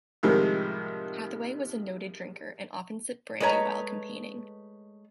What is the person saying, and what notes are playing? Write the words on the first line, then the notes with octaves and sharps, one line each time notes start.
Hathaway was a noted drinker, and often sipped brandy while campaigning.
A2 C3 D#3 F3 G3 G#3
G#3 A3 B4 C#5 A#5